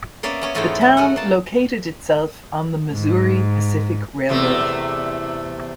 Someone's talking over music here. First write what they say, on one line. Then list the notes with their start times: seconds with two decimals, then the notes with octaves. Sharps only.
The town located itself on the Missouri Pacific Railroad.
0.23 A#3 B3 C#4 D5 E5
0.41 B3 C#4 C#5
0.55 E2 G#2 A3 E4 F4 G5
0.81 E4
0.97 A3 F#4 D#5 F#5
1.16 A#3 A5
2.91 G#2
4.29 E2 C3 A3